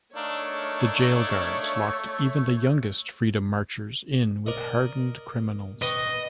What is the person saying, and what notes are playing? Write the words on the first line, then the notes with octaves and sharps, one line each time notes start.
The jail guards locked even the youngest freedom marchers in with hardened criminals.
A3 D4 D#4 A#4 C#5 F5
A#4 D5 D#5
B4 D#5 G5 C#6